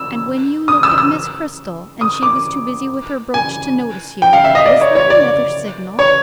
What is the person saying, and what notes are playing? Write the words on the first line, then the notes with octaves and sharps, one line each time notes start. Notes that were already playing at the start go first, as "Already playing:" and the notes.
"And when you looked at Miss Cristel, and she was too busy with her brooch to notice you, was that another signal?"
Already playing: E6
D#6
E6
E6
D#6
D6
G#5
G5
F5
E5
D#5
D5
C#5
C#5
D5
C#5